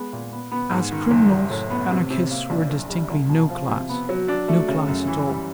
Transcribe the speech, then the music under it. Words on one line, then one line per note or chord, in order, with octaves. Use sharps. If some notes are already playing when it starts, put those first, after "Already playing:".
As criminals, anarchists were distinctly no class--no class at all.
Already playing: G#3 B3
A#2
B3
B3
G#2
D#3
F#1
F#1
A2
B3
C3
C3
A#3
A#1
F#1
G3
C2
B2
F3
C3
B3
F#3
D4
A3
C#3
F#2
E3
G3